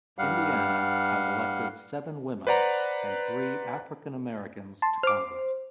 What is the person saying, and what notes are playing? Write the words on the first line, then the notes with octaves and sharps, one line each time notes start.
Indiana has elected seven women and three African Americans to Congress.
G2 G3 F5 F#5
B4 C5 D5 F#5 A#5
A5 C6
C5 D6 F6